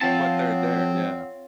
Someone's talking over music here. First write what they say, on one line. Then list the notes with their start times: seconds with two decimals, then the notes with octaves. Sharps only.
But they're there, yeah.
0.01 F3 C4 F4 C#5 F#5 A5 D6